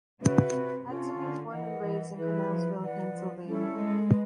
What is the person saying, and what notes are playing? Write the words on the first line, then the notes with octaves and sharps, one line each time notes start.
Hetzel was born and raised in Connellsville, Pennsylvania.
C#3 F#4 B4 E5
C3
C3 C#4 F4 A4
D3
E3 A#4 D#5 F#5
E3
E3 E4 G#4 B4 E5
F3
E3 B4 D5 F#5
F3
G3 C#4 E4 A4
G#3
B4